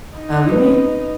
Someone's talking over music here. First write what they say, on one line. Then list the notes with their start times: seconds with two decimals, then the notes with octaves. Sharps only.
uh, we made
0.15 D#4
0.52 B4